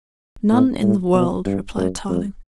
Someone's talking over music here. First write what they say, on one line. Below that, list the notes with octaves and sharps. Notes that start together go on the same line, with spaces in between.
"None in the world," replied Tarling.
A2
A2
B2
G2
F#2
F2